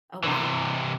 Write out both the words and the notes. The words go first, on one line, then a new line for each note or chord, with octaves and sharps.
Oh, wow.
C3 E3